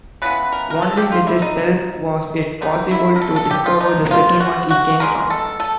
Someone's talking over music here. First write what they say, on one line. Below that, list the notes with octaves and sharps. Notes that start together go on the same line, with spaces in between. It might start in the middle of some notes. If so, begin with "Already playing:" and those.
Only with his help was it possible to discover the settlement he came from.
C#3 E3 G#3 B3 B4
A#4
A#4
A4
G4
F4
E4
D#4
D3 G3 B3 D#4
E4
A#4
A4
A4
G4
F4
D#4
F4
F#4
F#4
D#3 G#3 B3 A#4
A4
A4